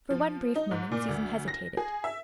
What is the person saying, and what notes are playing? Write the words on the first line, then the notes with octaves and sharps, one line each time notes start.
For one brief moment Susan hesitated.
F3
D#4
G#2
A#2
D2
A#6
G#4
E5